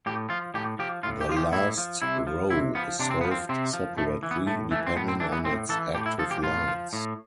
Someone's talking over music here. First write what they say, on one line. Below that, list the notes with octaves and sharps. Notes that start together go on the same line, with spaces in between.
The last row is solved separately, depending on its active lights.
A2 G4
F3 F4
A2 G4
F3 G4
A2 F4
G4
F3 F4
G4
A2 E4
F3
C3 E4
F3
C3 E4
F3 B3
C3 D4
C4
F3 B3
C4
C3 C4
F3
A2 A3
E3
B3
A2 A3
E3 A3
C4
A2 B3
C4
E3 D4
B3
A2 C4
E3 A4
A2 G4
E4
F3 A4
G4
A2 F4
F3
A2